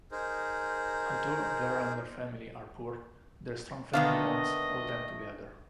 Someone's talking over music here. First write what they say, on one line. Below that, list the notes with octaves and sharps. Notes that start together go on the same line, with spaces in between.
Although Vera and her family are poor, their strong family bonds hold them together.
D#4 G#4 A#4 C5
D3 D#3 A3 B3 D#5 F5